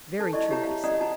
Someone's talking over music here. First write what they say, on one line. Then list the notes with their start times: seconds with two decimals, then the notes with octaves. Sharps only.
Very true, he said.
0.19 A4 A5
0.33 E4 D5 D#5 C#6
0.51 G4 C#5 E5 A5 A#5
0.63 F5
0.84 C#4 D5 D#5 F#5 A#5 D#6
0.99 F4 A5 A#5